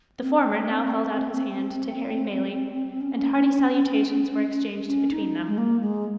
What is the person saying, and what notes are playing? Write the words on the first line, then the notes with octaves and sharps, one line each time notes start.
The former now held out his hand to Harry Maylie; and hearty salutations were exchanged between them.
C4
C#4
C#4
D#4
G#3
A#3
G#3